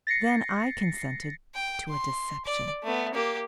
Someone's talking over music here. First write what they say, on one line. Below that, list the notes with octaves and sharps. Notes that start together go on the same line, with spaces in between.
Then I consented to a deception.
A6 A#6 C7 C#7
G5
C6
D5
A3 B3
A#3 G4